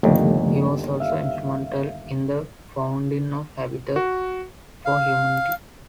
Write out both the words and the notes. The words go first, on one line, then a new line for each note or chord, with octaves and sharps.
He was also instrumental in the founding of Habitat for Humanity.
G1 D#2 C#3 F3 A3
E5 F5
F#4
F5